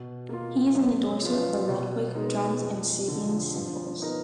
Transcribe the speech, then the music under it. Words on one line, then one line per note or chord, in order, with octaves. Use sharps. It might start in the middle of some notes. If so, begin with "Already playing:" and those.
He is an endorser of Ludwig Drums and Sabian cymbals.
Already playing: B2
A#3 F4
F#2
F3 B3 F4
B2
G#3 B3 D#4
F2
D3 F3
F3
B3 D#4 A#4